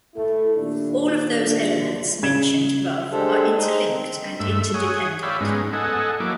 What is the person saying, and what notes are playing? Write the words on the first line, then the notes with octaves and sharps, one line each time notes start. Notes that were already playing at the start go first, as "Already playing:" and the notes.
All of those elements mentioned above are interlinked and interdependent.
A3 E4
D#2 A#2 D4
C#3 G#6 E7
G#3 D4 G4 A4 C5
G#3 D#4 C5 D#5
C4
G2 A3 E5
F#4 C#5 G#5 D#6
C#5 D5 E5 F5 G5 B5
G#2 G#3 B3 C#4 D#4
A4 D#5 F#5 G#5
F#3 A#3 E4 D6